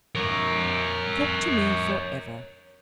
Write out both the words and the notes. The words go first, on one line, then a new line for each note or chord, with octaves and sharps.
Talk to me for ever.
A#4 C#5